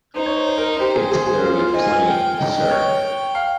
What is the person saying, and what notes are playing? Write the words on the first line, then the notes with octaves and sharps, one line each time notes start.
It's very plain, sir.
D#4 C5
C#5
C5
C5
A#4
A#4
G4 C5
G#4
G#4
G#4
F4
F4
D#4 G#5
F4
G5
D#4 G5
D#5
C#5
F5